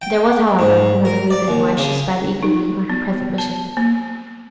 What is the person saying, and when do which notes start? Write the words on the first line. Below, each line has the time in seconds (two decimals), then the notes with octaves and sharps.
There was, however, another reason why she sped eagerly on her present mission.
0.02 G5
0.59 G#2
1.05 A#4
1.30 D5
1.48 D#2
1.77 C#3
2.43 D#4
2.90 B3
3.38 A5
3.77 A#3